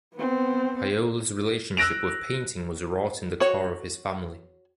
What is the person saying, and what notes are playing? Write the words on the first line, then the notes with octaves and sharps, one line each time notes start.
Piola’s relationship with painting was wrought in the core of his family.
B3 C4
E6 F#6 A#6 D7 F7
F#4 C#5